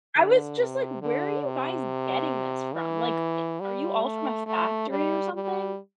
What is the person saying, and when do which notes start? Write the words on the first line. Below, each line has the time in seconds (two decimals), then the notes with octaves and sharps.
I was just like, "Where are you guys getting this from?" like, it "Are you all from a factory or something?"
0.16 D3
0.59 C3
1.02 D3
1.45 C3
2.74 E3
3.61 G3
4.04 A3
4.47 A3
4.90 G3
5.33 G3